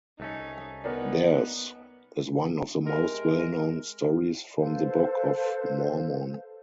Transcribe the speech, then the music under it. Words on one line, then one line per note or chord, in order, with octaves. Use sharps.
Theirs is one of the most well-known stories from the Book of Mormon.
C2 A3 C#4 D#4
B3 D#4 A#4 D5
C3 G#3 A#4
A4 B4 C5 F5